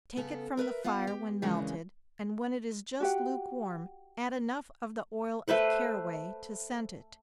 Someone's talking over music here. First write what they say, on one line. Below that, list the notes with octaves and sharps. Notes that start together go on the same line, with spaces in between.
Take it from the fire when melted, and when it is just lukewarm, add enough of the oil of caraway to scent it.
C#3 B3 A4
A#4 B4 C#5 E5
B3 F4 F5 F#5
G4
C#3 E3 G#3 A#3 C#4 D4
F#4 G4 F#5
A3 B4 C5 F#5